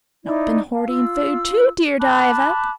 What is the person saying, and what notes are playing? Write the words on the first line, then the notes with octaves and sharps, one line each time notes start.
Not been hoarding food, too, dear Diva?
D#4 E4 D5
F5 A5
F4 E6
A5 B5 D6 F#6